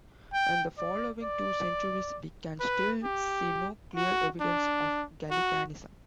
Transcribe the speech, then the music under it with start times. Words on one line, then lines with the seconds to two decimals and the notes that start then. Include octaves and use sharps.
In the following two centuries we can still see no clear evidence of Gallicanism.
0.33 G5
0.78 D5
1.23 D5
2.60 B4
3.04 G4
3.96 F#4
4.41 D4
5.31 F#4